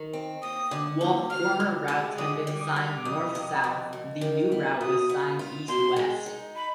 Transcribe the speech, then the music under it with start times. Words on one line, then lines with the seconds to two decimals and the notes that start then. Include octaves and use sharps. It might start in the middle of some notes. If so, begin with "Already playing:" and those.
While the former routes had been signed north-south, the new route was signed east-west.
Already playing: D#3
0.13 C4
0.42 D#2 D#6
0.71 D3
1.01 D#2
1.30 D2 F6
1.60 C3
1.88 G#3
2.18 D3 D#6
2.47 G3
2.56 D6
2.61 D#6
2.76 F4
2.96 D6
3.05 F2 D#6
3.35 C3
3.64 F2
3.93 F2
4.21 D#3
4.52 B3
4.81 B2 D#6
5.09 B3
5.39 F4
5.68 B2 C6
5.96 G#3
6.26 D#4
6.56 B5